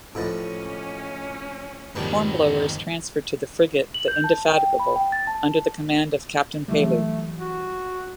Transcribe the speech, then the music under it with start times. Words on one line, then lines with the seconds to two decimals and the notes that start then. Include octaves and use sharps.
Hornblower is transferred to the frigate the "Indefatigable", under the command of Captain Pellew.
0.15 A1 A2 F3 C#4 B4 D#5 A6
1.95 F2 G#2 D#3 F3 G3 A#3 B4
3.94 F#7
4.08 G6
4.24 A5
4.50 G5
4.79 B5
4.96 G5
5.12 A6
5.27 A5
6.68 E3 F#3 G3 A3
7.40 F#4